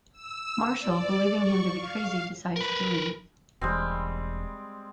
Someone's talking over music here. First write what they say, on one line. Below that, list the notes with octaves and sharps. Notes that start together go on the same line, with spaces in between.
Marshall, believing him to be crazy, decides to leave.
E6
D5
C#6
F5
A#4 B4
E1 E3 G3 G#3 C4